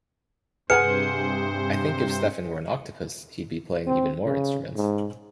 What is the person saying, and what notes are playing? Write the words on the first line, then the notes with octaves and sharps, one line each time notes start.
I think if Stefan were an octopus, he'd be playing even more instruments.
G2 C3 G#4 B4 C5 F#5 G#5 C#7
C4
C#3
G#2